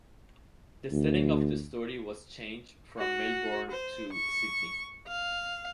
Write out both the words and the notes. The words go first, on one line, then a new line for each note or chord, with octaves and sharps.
The setting of the story was changed from Melbourne to Sydney.
D2
F#4
C5
C#6
F5